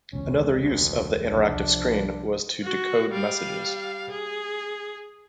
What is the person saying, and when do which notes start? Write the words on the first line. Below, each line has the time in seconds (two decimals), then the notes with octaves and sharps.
Another use of the interactive screen was to decode messages.
0.13 E1 C#2 C#4
0.62 D2
1.26 C2 F3 D4
2.63 F#4
3.12 G3 F5
4.10 G#4